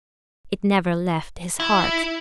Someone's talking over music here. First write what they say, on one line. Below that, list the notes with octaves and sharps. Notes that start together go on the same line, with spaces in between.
It never left his heart.
E4